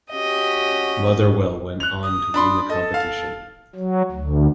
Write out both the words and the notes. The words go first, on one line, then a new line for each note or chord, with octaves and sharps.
Motherwell went on to win the competition.
C#4 F#4 G4 D#5
F#6 F7
D#6
D4 B5 C6
A4 D#5
F5
F#3
D2